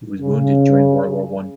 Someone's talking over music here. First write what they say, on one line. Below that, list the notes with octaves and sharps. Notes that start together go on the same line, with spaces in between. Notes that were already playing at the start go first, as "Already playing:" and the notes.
He was wounded during World War One.
C#3